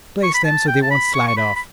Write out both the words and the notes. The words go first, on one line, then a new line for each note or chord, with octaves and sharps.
Place them so they won't slide off.
C#6
B5
A5
G5
A5
B5
C#6
C#6
B5
B5